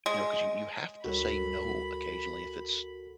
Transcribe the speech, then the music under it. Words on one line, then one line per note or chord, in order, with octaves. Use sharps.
You know, 'cause you you have to say no occasionally if it's
G#3
D2 G3 F#4 A4 A#4 C#5 B5